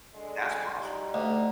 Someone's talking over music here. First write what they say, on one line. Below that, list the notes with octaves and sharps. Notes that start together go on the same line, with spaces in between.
That's possible.
D3 G#3
G3 D#4
D2 A4 D5 D#5